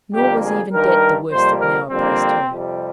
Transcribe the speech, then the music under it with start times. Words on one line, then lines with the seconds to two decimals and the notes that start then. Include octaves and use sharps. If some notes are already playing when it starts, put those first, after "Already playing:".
Nor was even debt the worst that now oppressed her.
0.14 F2 D3 G3 A#3 G4
0.43 G#4
0.73 G2 D#3 G3 A#4
1.31 F2 C3 G3 A#3 C5
1.61 A#4
1.90 F2 D3 G3 A#3 C4
2.49 F2 C3 G3